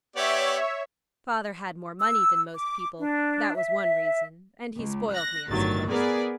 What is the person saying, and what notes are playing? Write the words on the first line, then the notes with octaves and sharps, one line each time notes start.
Father had more money than most people; that was one reason; and he spoiled me, I suppose.
B3 G4 C#5 D5 E5
E6
D6
D4
E5
C#2
F#6 A#6
G1 A2 D#3 F#3 A6
B3 G#4 A#4 B4 D5